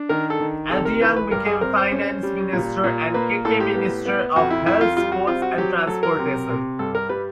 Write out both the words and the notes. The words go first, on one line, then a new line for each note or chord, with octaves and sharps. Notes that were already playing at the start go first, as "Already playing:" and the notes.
Adeang became finance minister and Keke minister of health, sports, and transportation.
Already playing: D4
D#3 A#4
A4
D#3
C3 A4
A#4
E3 B4
B4
G2 A#4
G#4
C4 A#4
C5
C#4
G3
A#2
A#2
A#3 B4
A2 A4
G4
B3
B3
F2 F#4
E4
F2 E4
F4
G3 F4
F#4
C4 F4
F#4
F#3 G4
F#3 A4
A#4
C3
C3
G2 A4
A#4
G3 B4